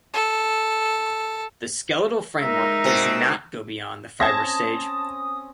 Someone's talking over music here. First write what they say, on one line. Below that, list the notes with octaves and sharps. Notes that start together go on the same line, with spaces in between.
The skeletal framework does not go beyond the fibrous stage.
A4
G#3 D#4 A#4 E5
B2 C4
C4 C#4 A5 D#6 G#6 A#6